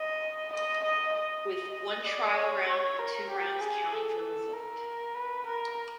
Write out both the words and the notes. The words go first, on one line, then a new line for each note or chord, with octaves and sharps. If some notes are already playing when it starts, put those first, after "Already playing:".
With one trial round and two rounds counting for result.
Already playing: D#5
D#5
D#5
D#5
D5
C#5
C#5
A#4
G4
G#4
A4
A#4
B4
A#4